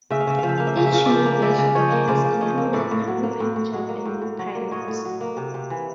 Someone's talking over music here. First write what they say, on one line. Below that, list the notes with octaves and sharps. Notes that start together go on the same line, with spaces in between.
Each new version has included a new paint job and new pilots.
C#3 E5
F5
C#3 E5
F3 F5
E5
A#3 F5
E5
C#3 F5
E5
C#3 F5
F3 D5 E5
A#3
C#3 D5 E5
C#3
F3 C#5 D#5
A#3
C#3 C5 D5
C#3
F3 C#5 D#5
A#3
A2 D5 E5
A2
F#3
A#3
A2
A2
F#3
A#3
A2
A2
F#3
A#3
A2 C#5 D#5
A2
F#3
A#3
C3
C3
E3